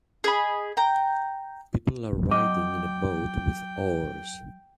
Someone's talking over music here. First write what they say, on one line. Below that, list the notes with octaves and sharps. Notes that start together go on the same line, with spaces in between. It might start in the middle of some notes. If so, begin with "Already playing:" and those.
People are riding in a boat with oars.
G#4 D#5 B5
G5 A#5
F#3 D#5 G5 D6